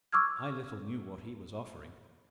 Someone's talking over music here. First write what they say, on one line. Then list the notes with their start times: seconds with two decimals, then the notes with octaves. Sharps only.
I little knew what he was offering.
0.12 C#6 D6 E6 F6 G#6